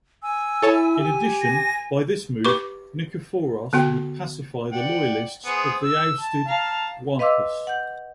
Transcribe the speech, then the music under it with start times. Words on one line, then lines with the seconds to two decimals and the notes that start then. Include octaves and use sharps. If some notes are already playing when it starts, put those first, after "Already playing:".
In addition, by this move Nikephoros would pacify the loyalists of the ousted Doukas.
0.23 G#5 E6
0.62 E4 A4 C#5 A5
0.99 G4 G#5
1.42 A#6
2.45 G4 B4 B5 C#6 D6
3.73 D3 B3 F#4 G5
4.72 D5 F#5 G5
5.45 B3 G#4 C5
5.81 E6
6.20 A5
6.49 F5 A5 A#5
7.19 B4 D#5 F5 C6 D6 E6
7.67 F#5 G6